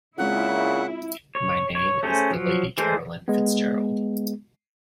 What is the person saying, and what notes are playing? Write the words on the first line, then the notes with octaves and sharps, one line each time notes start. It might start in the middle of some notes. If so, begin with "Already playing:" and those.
My name is the Lady Carolyn Fitzgerald.
A#2 C#3 G#3 C4 E4 F4 F#5
C#5
C#5
A3 C#4 G#4 C5
F3 F#3
E3 G#3 A3 G#4 C5
G#3 B3